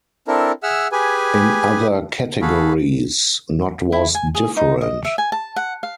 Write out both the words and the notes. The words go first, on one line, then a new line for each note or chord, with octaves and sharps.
In other categories not was different.
C4 D4 E4 A4 A#4
G#4 E5 F#5 E6 F6
G4 G#4 B4 G#5
F#4 G#4 A4 F5 B5
E4
G#5
G#4
D#4
D#5
E5
G#5
A5
F#5
F5